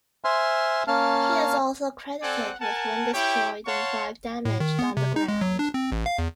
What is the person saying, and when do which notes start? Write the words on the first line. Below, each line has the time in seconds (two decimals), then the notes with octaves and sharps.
He is also credited with one destroyed and five damaged on the ground.
0.24 C5 E5 G#5 C6 F6
0.87 A#3 C#4 F5 A5 F6
2.22 C4 A4 D5 F#5 G#5
2.60 A#4 F#5 G#5 A5
3.13 E4 G4 C#5 G5
3.66 C#5 F5 F#5 A5 C6 C#6
4.45 A2
4.60 D#3
4.79 B3
4.97 C3
5.16 D#4
5.28 G#3
5.41 F#3
5.59 D4
5.74 C4
5.92 A1
6.06 F5
6.19 E2